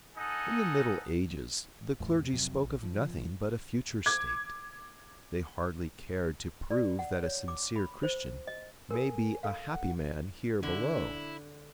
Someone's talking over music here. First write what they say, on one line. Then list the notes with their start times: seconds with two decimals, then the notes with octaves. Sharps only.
In the Middle Ages the clergy spoke of nothing but a future state; they hardly cared to prove that a sincere Christian may be a happy man here below.
0.15 D#4 A4 D#5 F#5 G#5
2.00 E2 A2
2.32 F2 C3 F#3
2.63 A#1
2.83 F3
4.06 D6 G#6
6.71 D5
6.99 F#5
7.23 C#5
7.48 D6
7.76 B5
8.03 C5
8.47 D#5
8.91 A4 A#4 G#5
9.43 A4 F5
9.71 F#5
10.63 D3 E4